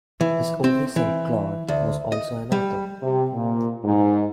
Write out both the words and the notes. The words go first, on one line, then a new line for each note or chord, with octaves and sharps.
His only son Claude was also an author.
E3
C4
E3
D2
D#5
G3
C3
A#2
G#2